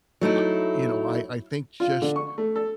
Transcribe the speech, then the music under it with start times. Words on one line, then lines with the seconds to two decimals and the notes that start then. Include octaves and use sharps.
Ah you know, I I think just
0.21 F#3 A3 D#4 E4
1.80 F4
2.02 D3
2.16 C#6
2.38 A3
2.56 A4